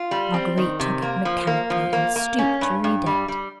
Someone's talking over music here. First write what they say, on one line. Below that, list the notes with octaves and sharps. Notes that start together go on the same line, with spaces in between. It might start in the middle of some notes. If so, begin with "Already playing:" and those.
Marguerite took it mechanically and stooped to read it.
Already playing: F4
G3
C4
D#3
C3
A#3
F3
A#3
F3
A#3
A#3
C#4
G2
G2
G3
G3